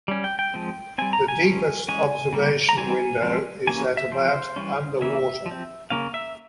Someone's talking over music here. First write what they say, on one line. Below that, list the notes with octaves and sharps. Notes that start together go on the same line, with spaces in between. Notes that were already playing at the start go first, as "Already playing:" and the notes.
The deepest observation window is at about underwater.
G3 C#4
G5
G5
F3 G#3 C4
G3 C4 G#5
A#5
G#5
F3 G#3 C#4
E3 G#3 C#4 G#5
C#3 G3 A#3 C#4
A#5
E3 G3 C4 G#5
F3 G#3 C4
E3 A#3 C#4 G#5
E5
F3 C4 C5
E3 G3 C#4
C#3 E3 A#3 C#4 E5
F3
C4
C#3 F3 A#3 C#4 F5
E5